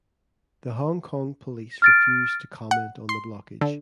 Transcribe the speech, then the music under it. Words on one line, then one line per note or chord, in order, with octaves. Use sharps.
The Hong Kong police refused to comment on the blockage.
F6 A6 D7
F#5
C6
D3